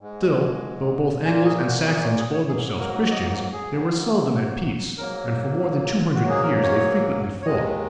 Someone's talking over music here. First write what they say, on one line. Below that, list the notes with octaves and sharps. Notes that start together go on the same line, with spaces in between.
Still, though both Angles and Saxons called themselves Christians, they were seldom at peace; and for more than two hundred years they frequently fought.
G#2 G#3
A#2 A#3 G#5
G#4
F#4
G#4
C#5
G#4
C#5
G#2 F#3 A#3 G#4
A#4
D#5
G#4
G#2 F#3 A#3
G#2 F#3 A#3 A#4
F#4
G#2 F#3 A#3
G#4
A#4
C#5
C#5
D#2 D#3 G#3 D#5